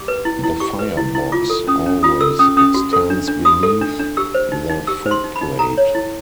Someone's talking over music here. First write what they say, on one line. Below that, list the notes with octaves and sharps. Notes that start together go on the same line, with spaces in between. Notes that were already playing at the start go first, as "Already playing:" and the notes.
The firebox always extends beneath the footplate.
Already playing: G4 D6
B4
E4
E4
G4 C#6
B4
E4
E4
F4 D6
A4
C#4 D#6
C#4
F4 D#6
A4 E6
C#4 D#6
C#4 D#6
F#4
A4
D4
D4
F#4 D#6
A4
D4
D4
G4 E6
C5
D#4
D#4
G4 E6
C5
C6
D#4
B5
D#4
A4 A#5
C#5
E4